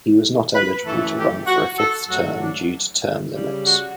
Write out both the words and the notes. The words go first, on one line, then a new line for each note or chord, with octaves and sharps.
He was not eligible to run for a fifth term due to term limits.
B4
F#2 E3 A3 A4
G4
F#4
A4
G2 F#3 A3 F#4
D4
C#3 G3
F#4